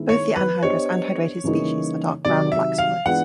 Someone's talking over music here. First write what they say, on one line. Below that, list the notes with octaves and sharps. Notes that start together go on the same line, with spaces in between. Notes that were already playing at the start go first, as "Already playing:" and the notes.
Both the anhydrous and hydrated species are dark brown or black solids.
Already playing: D#3 G#3 B3 E4
C#5
B4
B3 D4 G4 C5 C#5 D#5
C#3 E3 G3 A#3 D#4
C3 D#3 F#3 D5
E5
F5
E3 G#3 B3 D4 F4 F#5